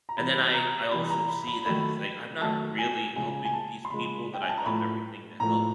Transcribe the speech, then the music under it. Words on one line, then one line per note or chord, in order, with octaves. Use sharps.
and then I I also see that it's, like, I'm not really helping these people that I drop everything to help,
A#5
C3 E3 G3 B5
A#5
C3 E3 G3 B5
A#5
B5
B5
D#3 F#3 A3 B5
D#3 F#3 A3 A5
G#5
C#3 F3 G#3 G#5
G#5
A5
C6
C#3 F3 G#3 B5
G5
G#5
A5
A#5
A2 F3 A3 B5
A2 F3 A3 A#5